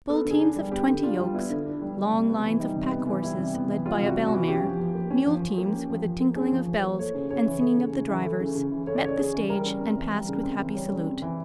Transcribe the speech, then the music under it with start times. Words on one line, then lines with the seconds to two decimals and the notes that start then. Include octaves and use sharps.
Bull-teams of twenty yokes, long lines of pack-horses led by a bell-mare, mule-teams with a tinkling of bells and singing of the drivers, met the stage and passed with happy salute.
0.09 B3 A4
0.25 D3
0.31 G#4
0.40 D4
0.56 G3
0.72 B3 G4
0.88 D3
1.03 D4 F4
1.19 G3
1.34 B3 E4
1.50 D3
1.66 D4
1.82 G3
1.97 G3
2.13 C3
2.28 B3
2.44 E3
2.51 E4
2.60 G3 D#4
2.76 C3
2.91 B3
3.07 E3
3.23 G3 E4
3.38 C3
3.54 B3
3.70 E3
3.86 G3 F4
4.01 C3
4.06 F#4
4.17 B3
4.27 F#4
4.32 E3
4.48 C#4 G4
4.63 F3
4.79 F3
4.95 A#3
5.10 C#4
5.27 F3
5.42 F3
5.58 A#3
5.73 C#4
5.90 F3
6.05 F3
6.20 A#3
6.36 C#4 G#4
6.52 F3
6.67 F3
6.78 C5
6.83 A#3
6.99 A3 C#5
7.14 C#3
7.30 C#3 C#5
7.46 E3
7.62 A3
7.77 C#3
7.93 C#3
8.08 E3
8.25 A3
8.40 C#3
8.55 C#3
8.71 E3
8.87 A3 C#5
8.96 D5
9.03 C#3 C#5
9.18 C#3 G#4
9.33 E3
9.49 G3 A#4
9.65 C#3
9.81 C4
9.97 E3
10.12 G3
10.28 C#3
10.43 C4
10.60 E3
10.75 G3 C#5
10.91 C#3
11.06 C4
11.22 E3